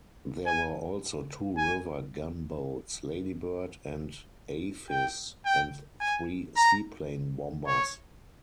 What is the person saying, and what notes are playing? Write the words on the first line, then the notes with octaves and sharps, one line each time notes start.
There were also two river gunboats "Ladybird" and "Aphis", and three seaplane bombers.
G#5
G#5
G5
G5
G#5
A#5
C#5